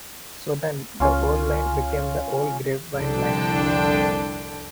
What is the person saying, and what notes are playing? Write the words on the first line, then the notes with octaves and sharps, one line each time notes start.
So then, the old line became the Old Grapevine Line.
C#2 C#4 F4
C2 F2 D3 D4 A4 G5